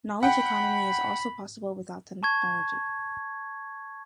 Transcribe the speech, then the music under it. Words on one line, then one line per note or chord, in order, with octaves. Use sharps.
Knowledge economy is also possible without technology.
F#5 G5 B5
A5 C#6 G#6